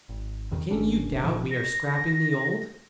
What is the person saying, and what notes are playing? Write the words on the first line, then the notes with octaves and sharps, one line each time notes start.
"But can you doubt we are scrapping the old?..."
G#1
E2 G2 D#3
G#1 D#3 C#4 D4
G1 A#2 F3
A#6